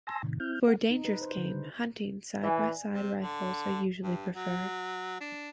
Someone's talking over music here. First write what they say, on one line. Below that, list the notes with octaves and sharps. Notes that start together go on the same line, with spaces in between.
For dangerous game hunting, side by side rifles are usually preferred.
G#5 A5 C6 E6 A#6
A2 C3 D#3
C4 E4 F6 G6
A4 A#4 F#5
D#4
B4
C5
D3
C#3
E3 D5 G#5
C3
D3
G2
F#3
D4